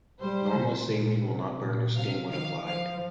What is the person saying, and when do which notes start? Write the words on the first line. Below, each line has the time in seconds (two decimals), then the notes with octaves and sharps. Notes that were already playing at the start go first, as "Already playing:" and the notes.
Normal saline will not burn or sting when applied.
0.21 G3 C5
0.56 C3
0.92 A#2
1.27 C3
1.62 A#2
1.96 C3 F5
2.32 D#3 F5
2.67 F3 F5